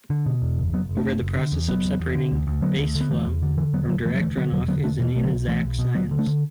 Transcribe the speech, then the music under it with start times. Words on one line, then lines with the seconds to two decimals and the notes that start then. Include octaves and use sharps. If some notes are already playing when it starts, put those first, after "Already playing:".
However, the process of separating "baseflow" from "direct runoff" is an inexact science.
0.10 D3
0.26 B2
0.42 E2
0.57 F#1
0.73 F#1 F#3 B3
0.89 F#1
0.97 A3 D4
1.05 F#1
1.21 F#1
1.36 D3
1.52 E2
1.68 F#1 F#3 B3
1.84 E2
1.99 E2
2.15 D3
2.32 D2
2.47 D2
2.62 D3 F#3 B3
2.78 D2
2.95 D3
3.00 B3
3.10 E1 E3 A3
3.26 E2
3.42 D3
3.58 D3 E3
3.73 E1 F#3 B3
3.89 E1 D3 F#3
4.05 E1 E3 A3
4.15 F#3
4.21 D2 E3 A3
4.37 D3 F#3 B3
4.52 E1 D3 F#3
4.68 D3 F#3 B3
4.84 E1 A3 D4
5.00 B2 E3
5.16 B1 A3
5.24 D3 F#3
5.31 B1
5.47 B1 E3 A3
5.64 B1
5.79 B2
5.95 D2 F#3 B3
6.11 D3
6.19 A3 D4
6.27 D3